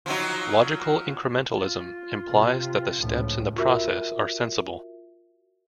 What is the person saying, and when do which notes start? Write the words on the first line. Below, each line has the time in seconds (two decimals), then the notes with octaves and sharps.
Logical incrementalism implies that the steps in the process are sensible.
0.06 F3 F#3 D#4
1.57 F4
2.30 C3
2.99 C#2 A2 F3
3.56 F4 F#4 A#4 E5